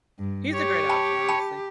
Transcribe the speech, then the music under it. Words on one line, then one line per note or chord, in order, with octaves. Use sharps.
He's a great option, honestly.
G2
G4 C#5
G5 A5 B5
G5 A5 B5